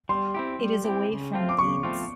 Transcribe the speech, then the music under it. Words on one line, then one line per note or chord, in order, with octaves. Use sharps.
It is away from Leeds.
G3 C6
C4 E4 G4
G3
C4 E4 G4
C#3
F3 A3 C4 F4
D6
C#3 C#6
F3 A3 C4 F4